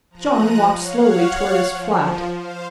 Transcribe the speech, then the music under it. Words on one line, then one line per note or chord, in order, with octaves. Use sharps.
John walked slowly toward his flat.
F3 A#5 F#6 D#7
C#5 F5 F#5
F3
C5 F5